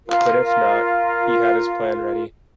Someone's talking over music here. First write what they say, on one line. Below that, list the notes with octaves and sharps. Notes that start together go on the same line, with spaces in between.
But if not, he had his plan ready.
F4 A#4